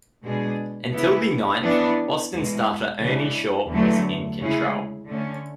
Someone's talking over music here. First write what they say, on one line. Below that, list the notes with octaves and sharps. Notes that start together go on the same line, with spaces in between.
Until the ninth, Boston starter Ernie Shore was in control.
B2 G#3 D4 G#4
C#3 E3 B3 E4
E3 B3 D4
E2 B2 G#3
C#3 E3 G#3 D4
E2 D3 F#3 A3
C#3 G#3 C#4 E4 G#4
D3 A3 C#4